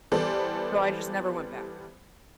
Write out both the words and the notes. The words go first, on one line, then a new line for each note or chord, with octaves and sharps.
so I just never went back.
E3 G3 B3 A4 C5 D5